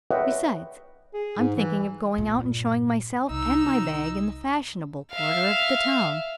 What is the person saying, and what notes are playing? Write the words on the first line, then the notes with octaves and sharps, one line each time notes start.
Besides, I'm thinking of going out, and showing myself and my bag in the fashionable quarter of the town.
B4 C#5 D#5 E5 F#5 G5
G#4
G#2
E3
G2 A#2
C2 D#4 E6
E5 F5